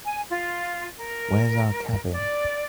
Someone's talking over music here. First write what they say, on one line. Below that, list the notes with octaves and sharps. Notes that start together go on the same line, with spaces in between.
Where’s our cabin?
G#5
F4
A#4
D5